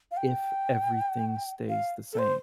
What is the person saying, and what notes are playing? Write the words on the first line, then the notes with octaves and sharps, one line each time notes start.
if everything stays the same.
F5
G5
F5
A4
C5